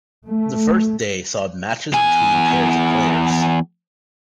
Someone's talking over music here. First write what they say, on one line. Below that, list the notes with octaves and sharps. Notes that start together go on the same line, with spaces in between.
The first day saw matches between pairs of players.
A3
E2 G#5